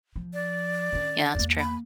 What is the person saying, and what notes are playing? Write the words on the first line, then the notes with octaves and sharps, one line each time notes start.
Yeah, that's true.
F3
D5
D#3 C#4
E2 A#3
B5